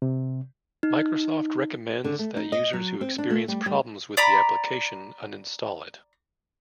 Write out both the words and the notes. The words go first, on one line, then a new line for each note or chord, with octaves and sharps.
Microsoft recommends that users who experience problems with the application uninstall it.
C3
D#4
D3
A3
D#4
D#5
F#3
C4
D4
A3
G3
G3
D5 A#5 B5